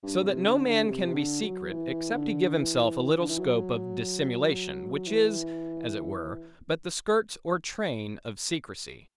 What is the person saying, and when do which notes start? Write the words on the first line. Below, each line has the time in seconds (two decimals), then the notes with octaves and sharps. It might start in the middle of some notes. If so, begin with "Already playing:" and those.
So that no man can be secret, except he give himself a little scope of dissimulation; which is, as it were, but the skirts or train of secrecy.
0.03 G2
0.24 C3
0.44 D3
0.65 D3
0.86 C3
1.07 C3
1.14 D3
1.43 F#3
1.70 E3
2.12 D3
2.55 E3
3.19 D3
3.29 E3
3.38 F#3
5.07 E3